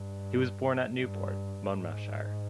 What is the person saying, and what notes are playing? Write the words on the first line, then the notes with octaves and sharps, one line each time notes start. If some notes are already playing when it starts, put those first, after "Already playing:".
He was born at Newport, Monmouthshire.
Already playing: G2
G2
G#2